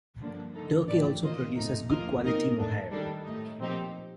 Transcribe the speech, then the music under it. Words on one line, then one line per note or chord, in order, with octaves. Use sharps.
Turkey also produces good-quality mohair.
G2 D3 F3 A#3 D4
D3 A3 D#4 A4
A2 A3 D4 G4 D5
D#3 A#3 F4 C5 D#5
F2 D3 A3 D#4
F3 A#3 F4 A#4 D#5
D#3 A#3 D#4 A#4 D#5
A3 D4 A4
D#3 G3 D4 A4
A2 A3 D#4
A#2 F3 C4 D#4 G4